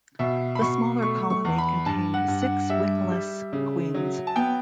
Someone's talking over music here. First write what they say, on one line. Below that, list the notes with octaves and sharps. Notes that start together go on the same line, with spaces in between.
The smaller colony contained six wingless queens.
B2 E5
B5
B2 C#6
A3 C#6
C#6
E2
B5
G2 A5
F#5
G2
F#5
G3 E5
G3
C#3
F#3
A5
B3 G5